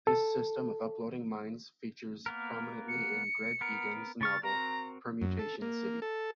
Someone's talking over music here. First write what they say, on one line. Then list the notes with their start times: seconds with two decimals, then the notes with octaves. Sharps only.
This system of uploading minds features prominently in Greg Egan's novel "Permutation City".
0.07 A4
2.26 A#3 B3 A#4
2.88 C#7
3.61 B3 A#4
4.21 C#3 C#6 F6 A6
4.43 C4 F#4 A#4 A#5
5.22 F#2
5.39 A4
5.62 A#3
6.02 A4